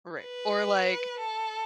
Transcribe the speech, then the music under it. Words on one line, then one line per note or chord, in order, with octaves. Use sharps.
Right. Or, like,
B4
A4